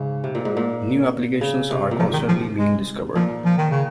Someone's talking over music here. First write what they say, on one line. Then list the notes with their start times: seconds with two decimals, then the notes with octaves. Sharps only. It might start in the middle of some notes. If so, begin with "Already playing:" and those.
New applications are constantly being discovered.
Already playing: G#2 C#3
0.24 C3
0.35 A#2
0.45 G#2
0.57 A#2
1.41 C#3
1.71 C3
1.91 A#2
1.99 G#2 F3
2.13 D#3
2.28 F3
2.58 G#3
3.15 A#2 F3
3.45 F3
3.58 D#3
3.71 C#3